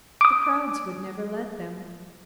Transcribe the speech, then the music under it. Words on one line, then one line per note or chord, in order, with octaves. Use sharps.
The crowds would never let them.
D6 D#6